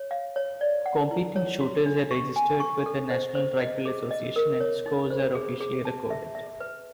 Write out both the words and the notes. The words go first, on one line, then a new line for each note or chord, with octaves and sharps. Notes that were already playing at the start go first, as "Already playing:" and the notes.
Competing shooters are registered with the National Rifle Association and scores are officially recorded.
Already playing: C#5
F5
C#5
D5
F#5
E4
C#5
F#4
D4
C#6
G#5
C#6
A4
C5
C5
D#5
G#4
D#5
A#4
C#5
D#4
C5
G#4
G#4
A5
E5
E5
B4